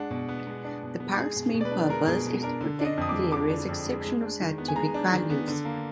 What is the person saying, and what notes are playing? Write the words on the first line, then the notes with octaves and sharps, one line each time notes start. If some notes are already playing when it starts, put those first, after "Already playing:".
The park's main purpose is to protect the area's exceptional scientific values.
Already playing: G#3 D4 F#5
B2
B3
G#3
D4
B2
B3
G#3 G#4
B2
B2
D5
B4
D4
G#3 A#4
B2 G#4
B2
D4 A#4
D3
D4
D#5
F2 D#6
D6
G#3
D3 D6
D4
F2
G#3
G#3
D4
D#3
B3
G#5
G#3 A#5
D4
D#3
B3
D3
A#3